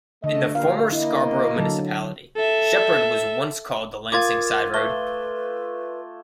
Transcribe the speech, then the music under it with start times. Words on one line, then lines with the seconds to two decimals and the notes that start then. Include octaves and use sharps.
In the former Scarborough municipality, Sheppard was once called the Lansing Sideroad.
0.24 D3 A3 D#5
0.55 G2 A#2 F5
0.92 A#3 E4 D#5
1.56 D3 F#3 A4
2.36 A4 E5
4.12 F4 A#4 D6 D#6 G#6 A6
4.74 A3 B4 G7